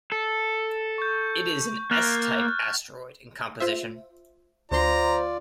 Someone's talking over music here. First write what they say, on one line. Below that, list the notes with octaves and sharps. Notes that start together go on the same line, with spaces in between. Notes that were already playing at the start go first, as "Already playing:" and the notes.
It is an S-type asteroid in composition.
A4
C#6 G6
A#3 F6 F#6 A6
F4 C5 E5
D2 F4 C5 D5 A#5 C6